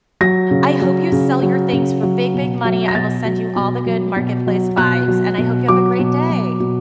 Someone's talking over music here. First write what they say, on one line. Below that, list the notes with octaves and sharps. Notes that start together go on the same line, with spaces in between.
I hope you sell your things for big, big money. I will send you all the good marketplace vibes, and I hope you have a great day.
F#3 A#6
C#3
F#3
C#3
F#3
C#3
F#3
B2
F#3
A#6
B2 A6
F#3
B2
F#3
B2
F#3
B2 F#6
F#3
B2
F#3 D6
B2
F#3
B2